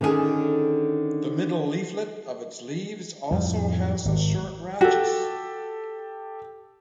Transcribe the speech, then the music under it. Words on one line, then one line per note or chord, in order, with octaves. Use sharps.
The middle leaflet of its leaves also has a short rachis.
D3 D#3 C#4 D4 G#4 A4
F2 A2 G3
G#1
F#4 G4 A4